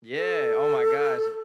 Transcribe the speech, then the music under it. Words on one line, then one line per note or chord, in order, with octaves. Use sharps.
Yeah! Oh, my gosh.
A4